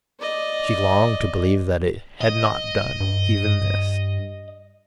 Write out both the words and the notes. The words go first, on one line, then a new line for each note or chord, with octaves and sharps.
She longed to believe that it had not done even this.
D5 D#5
D#5
G2